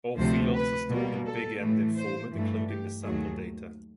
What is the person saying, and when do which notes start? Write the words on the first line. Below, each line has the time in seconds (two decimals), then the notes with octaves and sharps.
All fields are stored in big-endian format, including the sample data.
0.18 D2 C3 F3 A3 C5
0.54 B4
0.90 B2 G3 A#3
1.25 A4
1.61 A2 E3 A3
1.97 C5
2.32 G2 E3 A3
2.68 G4
3.04 D#2 D#3 F#3 A3 G#4